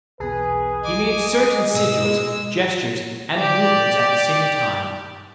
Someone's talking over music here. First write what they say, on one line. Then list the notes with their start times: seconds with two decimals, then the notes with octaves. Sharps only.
He made certain sigils, gestures and movements at the same time.
0.20 B1 E2 B3 G#4 B4
0.84 D#5 G#5 D6
1.74 G#2 B2 E6
2.05 G#3
3.36 G4 D5